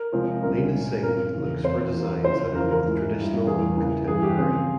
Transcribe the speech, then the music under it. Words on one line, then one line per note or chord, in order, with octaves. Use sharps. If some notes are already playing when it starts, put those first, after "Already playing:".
Leena Singh looks for designs that are both traditional and contemporary.
Already playing: A#4
C3 F3 G#3 C4 F4
C#2 C3 G3 C#4 A#4
A#2 G#3 C#4
G2 F3 C4 A#4
E2 C#3 E3 A#3
F2 E3 A#3 C5
E2 E3 A#3
E2 C#3 F3 C5
E2 C#3 F3 A#3 A#4
A#4
G#2 F3 G#3 E4
G2 G3 A#3 E4
E2 E3 G3 A#3 F4 G#4
C#3 E3 A#3
G2 E3 G3 G#4
G4
C#3 F3 C4 F4 G#4